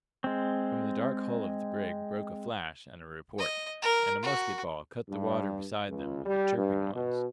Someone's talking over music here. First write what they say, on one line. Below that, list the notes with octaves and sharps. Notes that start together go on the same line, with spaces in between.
From the dark hull of the brig broke a flash and a report, and a musket ball cut the water beside them with a chirping noise.
G#3 C4
D#5
A#4
F#4
G2
C#2
G3
G2
B2